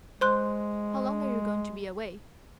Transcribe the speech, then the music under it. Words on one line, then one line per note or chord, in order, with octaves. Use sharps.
"How long are you going to be away?"
G#3 C5 C6 F#6